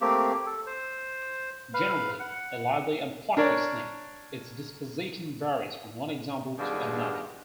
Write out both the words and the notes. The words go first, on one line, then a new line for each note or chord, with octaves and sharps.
Generally a lively and plucky snake, its disposition varies from one example to another.
A3 A#3 C4 G4
A4
C5
B4 F5
F#5
D4 A#4 C#5 D5
G2 B2 D#3 F3 G#3 D4